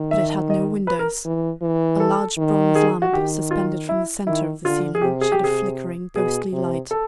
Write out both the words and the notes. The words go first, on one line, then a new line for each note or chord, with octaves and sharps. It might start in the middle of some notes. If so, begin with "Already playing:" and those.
But it had no windows--a large bronze lamp, suspended from the centre of the ceiling, shed a flickering, ghostly light.
Already playing: D#3
E5
D#5
B4
A#4
E3
E3
A4
D#3
G#4
F#4
D#3 G4
F4
E4
D#3 E4
D3 F4
G#4
C3 G4
G#4
G4
C3 G#4
B2 G#4
C3
A4